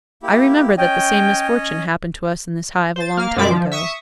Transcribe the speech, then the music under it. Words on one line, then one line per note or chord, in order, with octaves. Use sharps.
I remember that the same misfortune happened to us in this hive a long time ago.
A#3 E4 G4
C#4 C#5 D#5 G5
C5 A6
A#3 F5 F6
F#2 B2 G#3 D5 E5 D6
F3
E5 C#6 D#6